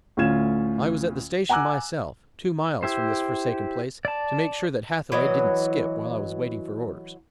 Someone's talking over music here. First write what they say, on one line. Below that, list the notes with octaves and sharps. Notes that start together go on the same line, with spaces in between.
I was at the station myself--two miles from this forsaken place--to make sure that Hathaway didn't skip while I was waiting for orders.
D2 A2 C#4 F4 G#6 E7
F#5 G#5 A#5 D6 E6 F#6
E4 G4 C5
D5 A5
E3 F#3 D#5